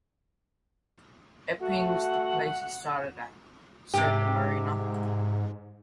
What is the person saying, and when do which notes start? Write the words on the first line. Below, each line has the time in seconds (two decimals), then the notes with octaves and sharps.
"Epping's the place he started at," said the mariner.
1.60 A3 F#4 F#5
3.94 G#2 C3 G4